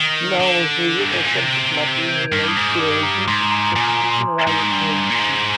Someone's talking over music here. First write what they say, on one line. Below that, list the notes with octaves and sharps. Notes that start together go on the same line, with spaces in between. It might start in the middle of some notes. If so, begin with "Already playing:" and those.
Nowell's lyrical subject matter relates to relationships, prostitution, riots, and addiction.
Already playing: D#3
D#7
D3 D7
F7
G2
G#2 D#7
A#2
C3 D7
D7
F7
G6
G#6
G6
G2 F6
D6
D#6
G#2
D#6
G2 D6
A#5
G#2 C6
A#5
A#5
A#2 G#5
A#5
A#5
C6
C6
A#5
G#2
G2
A#2
C6
G#2 A#5